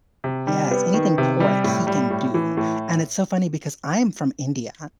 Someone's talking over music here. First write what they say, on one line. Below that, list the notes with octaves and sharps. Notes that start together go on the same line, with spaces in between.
Yes, anything pork he can do, and it's so funny because I'm from India I
C3
G3
B3
D#3
C3
G3
A2
G3
A2
E3
A2